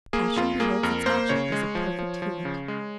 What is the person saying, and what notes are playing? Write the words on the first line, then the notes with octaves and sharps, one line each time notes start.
Passion beholds its object as a perfect unit.
A#3 G#4
F2 F4
A#3 G#4
F2 A#4
A#3 C5
C#3 C#5
G#3
F3
F3
F3
C#3
G#3